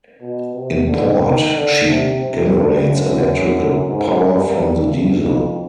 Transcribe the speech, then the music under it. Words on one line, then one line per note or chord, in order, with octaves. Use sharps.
In port, she generates electrical power from the diesel.
B2
C3
D3
D#3
D3
C3
C3
G2
F#2
G#2
G2
E2
F2